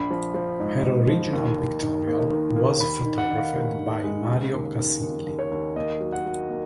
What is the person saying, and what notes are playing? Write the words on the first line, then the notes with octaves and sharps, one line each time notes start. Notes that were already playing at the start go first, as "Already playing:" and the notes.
Her original pictorial was photographed by Mario Casilli.
Already playing: A#1 B5
F3
F3
G#2
G#2
F3
D#2
D#2
D#3
A#3
D#3
A#3
D#2 B5
D#3
F#5
D#3
F5
D#2
D#2
G#3
C#3
D#2
D#2
D#2
D#2
C#5
D#2
A#3 D#5
F#3
F#5
F#3
A#3